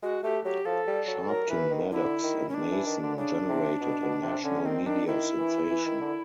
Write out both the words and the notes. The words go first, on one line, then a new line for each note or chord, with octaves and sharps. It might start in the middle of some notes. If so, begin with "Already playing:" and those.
Sharpton, Maddox, and Mason generated a national media sensation.
G#3 F#4
A3 G4
F#3 G4
F3 A4
G3
F#3
F#3 A#4
E3 B4
D#3
D3 E4
D#3
C#4
D#3 D4
E3
D#3
D3
C#3 D4
C3
B2
B2
C3
D3 C#4
D#3 C4
D#3 D4
D#3 E4
E3
E3
D#3
D3